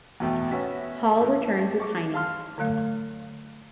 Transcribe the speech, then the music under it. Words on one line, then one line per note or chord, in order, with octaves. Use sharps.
Paul returns with Tiny.
E2 B2 A3 G5
B3 C#4 F#4 E5
A2 E3
G4
C#6 D6
F5 A5 C6 F6
D3 F#3 A3 F5